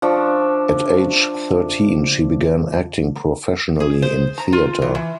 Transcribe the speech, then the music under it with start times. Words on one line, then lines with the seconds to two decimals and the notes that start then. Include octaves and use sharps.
At age thirteen, she began acting professionally in theatre.
0.02 F3 D4 E5 C#6
3.80 G#4
4.02 C5
4.38 A#5
4.53 F4
4.82 E3
4.95 E3